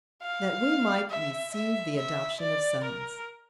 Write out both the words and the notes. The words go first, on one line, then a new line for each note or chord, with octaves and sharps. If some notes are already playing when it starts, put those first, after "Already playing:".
That we might receive the adoption of sons.
F5
E5
E5
E5
D5
A#4